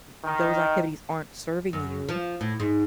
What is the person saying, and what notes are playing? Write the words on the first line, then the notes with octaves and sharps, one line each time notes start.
th those activities aren't serving you,
D#3
F#2
F3
A2
G#2